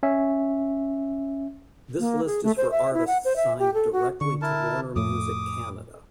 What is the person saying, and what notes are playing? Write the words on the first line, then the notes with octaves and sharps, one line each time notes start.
This list is for artists signed directly to Warner Music Canada.
C#4 E5
A#3
G#4
A3
C5
E5
E4
F#5
C5
E5
G4
A4
F#4
D3 C#6
E4 A#4 A5
F2 A2 D6 D#6